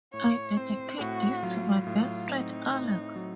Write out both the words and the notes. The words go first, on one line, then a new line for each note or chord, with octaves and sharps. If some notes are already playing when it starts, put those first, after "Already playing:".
I dedicate this to my best friend, Alex.
A2 C#5
C4 C5
A2 F#4
F#3 F4
A2 F4
C4 D#4
A2
F#3